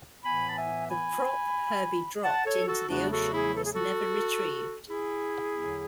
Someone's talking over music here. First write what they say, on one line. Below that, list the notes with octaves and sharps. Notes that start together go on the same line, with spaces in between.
The prop Herbie dropped into the ocean was never retrieved.
A2 E3 B3 G#5 B5
A5
E5 G#5
G#5 B5
F#5 A5
A4 C#5
F#4 A4
E2 C#3 F#3 A3 D4 F#4
F#4 A4
E4 G#4
A4
G#4
F#4 A4
E4 G#4
E2 D3 F#3 B3